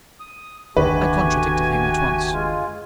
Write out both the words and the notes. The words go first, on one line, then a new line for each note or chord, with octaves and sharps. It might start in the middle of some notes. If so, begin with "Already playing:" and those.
I contradicted him at once.
D#6
F#1 D#2 D3 A3 F#4 G4 B4 G#5
G#3 F4